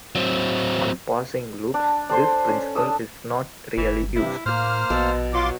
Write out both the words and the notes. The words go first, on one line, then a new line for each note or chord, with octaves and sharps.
On passing loops this principle is not really used.
F#3 C4
D4
D4 A4 C5 C6
C#4
D4 D#6 E6
G1 E3
G2 C3 E4
A2 A#3 C5 F6
A#1 B2 A4
F#3 F4 C6 D6